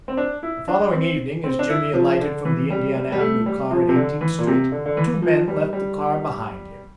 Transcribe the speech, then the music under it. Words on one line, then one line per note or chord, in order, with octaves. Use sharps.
The following evening as Jimmy alighted from the Indiana Avenue car at Eighteenth Street, two men left the car behind him.
C4
D4
E4
D4
C4
C4
D4
E4
F3
D3
E3
G3
G3
G3
A3
G3
F3
C3
D3
E3
A#2
C3
D3
D3
E3
F3
G3
G3